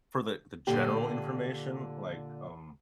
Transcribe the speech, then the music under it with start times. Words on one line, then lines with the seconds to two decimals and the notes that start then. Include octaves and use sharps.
for the the general information, like, um,
0.67 A#2 D3 G4